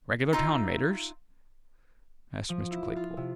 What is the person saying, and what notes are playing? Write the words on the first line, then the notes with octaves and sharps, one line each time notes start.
'Regular town-maders?' asked Mr. Claypole.
D#4 F4 E5
F3
E4
F4
C3